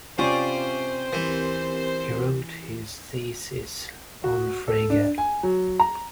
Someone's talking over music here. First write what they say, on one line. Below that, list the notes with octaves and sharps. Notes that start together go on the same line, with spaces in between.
He wrote his thesis on Frege.
C3 C#4 F4 C5 D5
E3 C4 G4 A#4
F#4
A4
D4
G#5
F#3
A#5